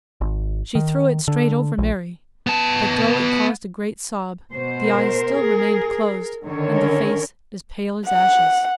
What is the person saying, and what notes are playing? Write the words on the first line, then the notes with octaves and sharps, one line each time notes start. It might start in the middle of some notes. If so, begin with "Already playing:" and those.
She threw it straight over Mary; but though it caused a great sob, the eyes still remained closed, and the face as pale as ashes.
G#1
D#3
D3
A#1
B3 A5
B2 C5
A#4
G#4
D3 D#3 C#5
C#4 A#4
F#5